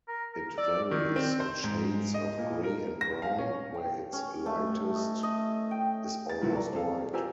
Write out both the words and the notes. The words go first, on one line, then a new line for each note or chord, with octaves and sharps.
It varies in shades of grey and brown, where its lightest is almost white.
A#4
A#4
D5 E6
D#3
C4
C5
G#2
D#5
A#2
A#4
A#6
F5
C#4
G5
C#4
A3
A2
D#5
D#5
G5
A6
D2 A2 F#3 A#3 B4
A4 D5 A#5
C4 G#4 A4 F5
F4 G4 A#4 C5 G#5 E6